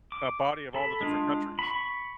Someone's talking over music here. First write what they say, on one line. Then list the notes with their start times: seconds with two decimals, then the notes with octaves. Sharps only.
a body of all the different countries.
0.12 D6
0.75 A4 B5
1.01 G#3 D4 F4
1.59 B5 C#6